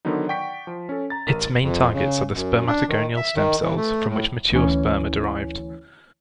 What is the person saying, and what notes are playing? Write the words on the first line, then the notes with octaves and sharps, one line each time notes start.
Its main targets are the spermatogonial stem cells, from which mature sperm are derived.
D3 D#3 F#3 B3 D#4
D5 F#5 G5 C#6 B6 D7
F3
C#4 A4
A#5 A6
A1 A#4 D#7
F2
C#3
F#2
D4
D#3
E5
D#3
E3
A3
A2
D2 E3 C#4